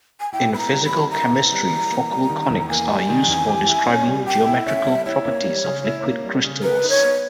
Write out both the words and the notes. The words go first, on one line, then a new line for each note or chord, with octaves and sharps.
In Physical chemistry focal conics are used for describing geometrical properties of liquid crystals.
G#5
E4 G5
B3 B5
A#5
G3
B5
E3
E4 A#5
B3
G3
E3
A#3
G3
D#3
E2
A#3 G#5
G3
D#3
E2
G4
E4
C#4
G3
G4 G5
E4
C#4 E5
G3
E4 C#5
A#3
G3
C#3
E4
A#3
G3
C#3
A#4 B4
D#4
C#5
B3